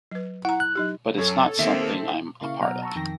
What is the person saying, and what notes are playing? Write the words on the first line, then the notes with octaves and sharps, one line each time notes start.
But it's not something I'm a part of.
F#3 B4
E4 F#5 A#5
F#6
F#3 D#4 G4
F#2 A4 C#5
D#3 A#3 C4 E5
C#3 A#3 E4 F5 C#6
B2 F#3 F#5 A#5 F6
A5 A#5 C#6 E6
F2 D#3 G5 A#6